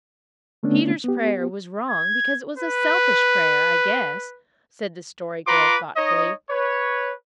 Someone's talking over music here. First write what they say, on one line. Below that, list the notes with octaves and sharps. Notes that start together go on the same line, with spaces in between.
"Peter's prayer was wrong because it was a selfish prayer, I guess," said the Story Girl thoughtfully.
D3 A3 B3 C#4 D4
B3 G4
G#6
B4
F4 B4 A#5 C6 D6
D#4 C#5 D#5
B4 C#5